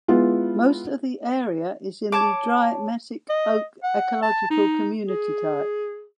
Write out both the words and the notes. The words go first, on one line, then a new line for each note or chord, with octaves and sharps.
Most of the area is in the Dry Mesic Oak ecological community type.
G#3 B3 E4 F4
C#5 A5 D6
D#5
F#5
A5
D#4
G#4